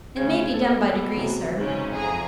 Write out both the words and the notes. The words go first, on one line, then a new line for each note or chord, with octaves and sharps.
'It may be done by degrees, Sir.
D2 C#3 G#6
B2 A4 B4
C3 E3 F#3
G#2 C#3 C#4
F2 G#4 A#5